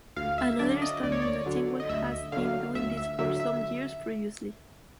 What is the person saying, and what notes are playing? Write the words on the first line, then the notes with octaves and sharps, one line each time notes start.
Another establishment at Chigwell has been doing this for some years previously.
D2 F5
E5
D3 F#3 D5
D#5
D2 D5
C#5
D5
D3 F#3
D#5
D2 E5
D3 F#3 F5
D2 E5
E5
D3 F#3 E5
E5